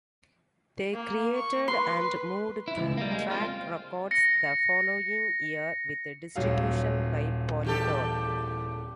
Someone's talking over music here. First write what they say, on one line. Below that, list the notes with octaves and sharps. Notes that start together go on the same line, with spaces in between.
They created and moved to Track Records the following year with distribution by Polydor.
A#3
C#6
B4 C6
E4
C#2
G3 A#3
G#3
C4 F4
A#6 C#7
D#1 F#3 F5
E2 G4 A4